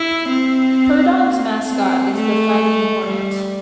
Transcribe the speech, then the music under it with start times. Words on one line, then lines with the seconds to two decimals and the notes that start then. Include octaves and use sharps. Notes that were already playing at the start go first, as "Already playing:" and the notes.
Herndon's mascot is the Fighting Hornet.
Already playing: E4
0.29 C4
1.21 A#3
1.68 C4
2.14 A3
3.06 G3